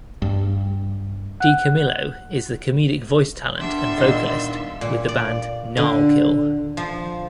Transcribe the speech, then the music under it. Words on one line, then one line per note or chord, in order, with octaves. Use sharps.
DiCamillo is the comedic voice talent and vocalist with the band Gnarkill.
G2
F#5 F#6
G3 B3 D4 E5 C6
A#2 D#3
A#2
D5
D3
F3